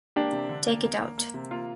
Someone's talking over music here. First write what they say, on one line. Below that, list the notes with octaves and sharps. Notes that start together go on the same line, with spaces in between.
Take it out!
A#3 D4 G4
C3
D3
A#3
A#3
A#3
A#3
C3
A#3 F4